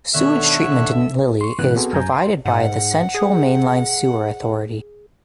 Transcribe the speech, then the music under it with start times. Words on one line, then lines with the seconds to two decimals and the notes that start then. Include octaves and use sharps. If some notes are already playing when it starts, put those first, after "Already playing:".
Sewage treatment in Lilly is provided by the Central Mainline Sewer Authority.
0.14 B2 D3 D#3 C#5 E5 F#6
1.41 C6 C#6
1.59 G#2 C#3 E3 B3 F#6
1.76 B3 C4 F#4 G#4 A4 C5
1.93 F#2 G#5 A#5 G6
2.12 C6
2.45 G#2 F#5
3.14 G#4